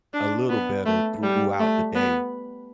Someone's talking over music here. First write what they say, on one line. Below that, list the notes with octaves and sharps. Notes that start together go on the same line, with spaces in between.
a little better throughout the day,
D4
B3
A3
G3
A3
B3